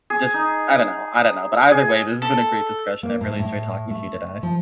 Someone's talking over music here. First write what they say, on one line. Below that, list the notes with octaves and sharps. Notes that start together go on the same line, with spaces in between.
just I don't know I don't know. But either way, this has been a great discussion. I really enjoyed talking to you today.
G#4
D#4
G#4
A4
A#3
A2
A2
A3
F3